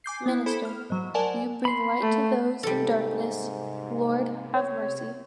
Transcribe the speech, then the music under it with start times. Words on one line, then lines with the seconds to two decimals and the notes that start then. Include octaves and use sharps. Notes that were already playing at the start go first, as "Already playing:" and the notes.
Minister: You bring light to those in darkness: Lord, have mercy.
0.04 G#5 D6 G6 C7
0.26 B3 E4
0.46 E4 A4 C5 B5
0.65 F6
0.90 G#2 F#3
1.14 A#4 C5 D5 F#5 G#5 A5
1.65 B5 C6
2.01 A3
2.63 G#2 C3 G3 A4
4.54 C#5